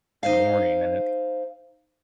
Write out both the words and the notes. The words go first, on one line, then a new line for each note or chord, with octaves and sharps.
and morning, and it
D#4 C5 F5